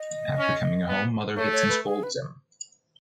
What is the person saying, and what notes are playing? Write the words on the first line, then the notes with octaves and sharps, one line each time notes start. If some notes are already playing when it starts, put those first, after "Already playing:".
After coming home mother hits and scolds him.
Already playing: D#5
C#4
B3
A3 C#5
C#5
B4
G#4
B4